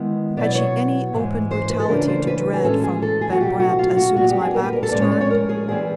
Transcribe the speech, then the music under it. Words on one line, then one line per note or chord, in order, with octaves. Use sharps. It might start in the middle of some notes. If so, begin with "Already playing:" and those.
Had she any open brutality to dread from Van Brandt as soon as my back was turned?
Already playing: D#3 G#3 B3 E4
B2 F#3 B3 E4 D5
C#5
G#2 E3 G#3
C5
B4
A4
C#3 E3 A3 D4 F4 A#4
C5
B4
G#4
A2 E3 G#3 C#4 A4
G#4
A4
G#4
F#4
B2 F#3 A3 G4
F#4
F4
F#4
A#2 G3 B3 F#4
G4
G#4
A#4
B4
A#4
A4
A2 F3 G#3 C#4 D5
C#5
D5
C#5
A#4
G#4
E3 G3 C4 F4 G#4